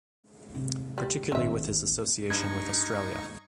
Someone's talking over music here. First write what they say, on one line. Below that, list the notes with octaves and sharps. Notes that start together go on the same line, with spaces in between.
Particularly with his association with Australia.
C3 C4
G3
G#1 D#2 C4 E5
G2 D#4 C#6 G#6